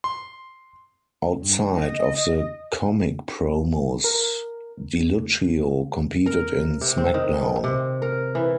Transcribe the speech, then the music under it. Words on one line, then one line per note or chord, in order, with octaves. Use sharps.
Outside of the comic promos, DiLucchio competed in SmackDown!
C6
G2
D#5
A#4
A#4
C3
C4
D#3
C3
A#4
E3